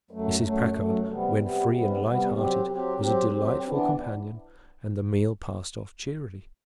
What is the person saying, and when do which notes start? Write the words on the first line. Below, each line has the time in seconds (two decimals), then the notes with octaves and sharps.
Mrs. Packard, when free and light-hearted, was a delightful companion and the meal passed off cheerily.
0.11 F#2 F#3 A3
0.42 F#2 F#3 A3
0.74 F#2 F#3 A3
1.07 C3 G3 B3
1.39 C3 G3 B3
1.71 C3 G3 B3
2.03 C3 G3 B3
2.36 F#3 C4 G4
2.69 F#3 C4 G4
3.00 F#3 C4 G4
3.33 F#3 C4 G4
3.65 E3 B3 D4